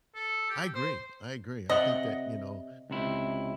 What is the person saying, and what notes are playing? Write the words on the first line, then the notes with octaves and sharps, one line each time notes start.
I agree, I agree, I think that, you know,
A4
G4
C5
C3 D5 D#5 F#5
C#2 C3 E4